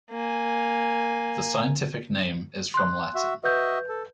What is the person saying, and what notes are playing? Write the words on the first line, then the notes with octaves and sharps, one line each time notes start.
The scientific name is from Latin.
A#3 G#5
C6 F#6
F#4 E5
F#4 B4 D#5 E5 G6
A4